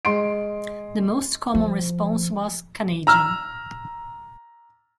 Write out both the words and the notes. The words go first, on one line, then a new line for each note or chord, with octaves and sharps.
The most common response was "Canadian".
G#3 C6 D7
F3
A#5 E6 F6